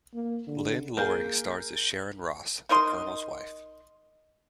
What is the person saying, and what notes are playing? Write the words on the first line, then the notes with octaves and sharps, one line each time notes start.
Lynn Loring stars as Sharon Ross, the Colonel's wife.
A#3
D3
A#3 G#4 A#4 G6
D#4 A#4 D#5 C6